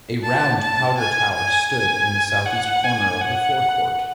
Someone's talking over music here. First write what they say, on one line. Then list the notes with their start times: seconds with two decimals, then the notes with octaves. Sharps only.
A round powder tower stood in the southeast corner of the forecourt.
0.23 A5
0.60 A5
0.98 G#5
1.34 G#5
1.72 G#5
2.46 F#5
2.84 G#5
3.21 F#5